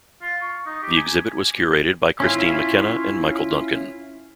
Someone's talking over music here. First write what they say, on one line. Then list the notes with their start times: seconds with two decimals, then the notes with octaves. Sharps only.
The exhibit was curated by Kristine McKenna and Michael Duncan.
0.22 F4
0.41 C#6
0.66 D#4
0.83 G4
0.96 G#5
2.20 C#4 E4 F4